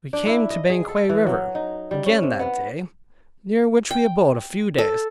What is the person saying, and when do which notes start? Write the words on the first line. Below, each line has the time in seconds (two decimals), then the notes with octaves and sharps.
We came to Banquang river again that day, near which we abode a few days.
0.13 D4
0.27 E4
0.50 D#5
0.70 G#4
0.88 A4
1.10 E3
1.27 F#3
1.55 D#4
1.91 G3
2.06 C#4
2.23 C3
2.40 B3
3.91 G5
4.78 A4